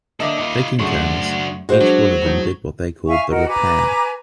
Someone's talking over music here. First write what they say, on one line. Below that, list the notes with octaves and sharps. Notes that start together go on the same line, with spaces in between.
Taking turns, each one of them did what they called the repair.
A#3 D4 A4 D#5 E5 A#5 D6
D#4 F4
F#2 C#3 A3 D4 F#4 C6 C#6
G2 G#3 F#4 C5 G5
F#3 D4
A2 D#4
E5 F5 G#5 C#6
F#4 A#4 D#5
B4 G#5 A#5 D6